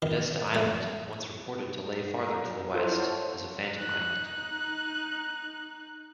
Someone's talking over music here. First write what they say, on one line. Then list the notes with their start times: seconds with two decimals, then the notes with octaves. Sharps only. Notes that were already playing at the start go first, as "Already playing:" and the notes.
Podesta Island, once reported to lay farther to the west, is a phantom island.
0.02 D#3
0.55 A3
2.25 A#5
2.75 E4 F4 A4 C5
2.99 C5 C#5 F#5 A5
3.77 D#4 F#6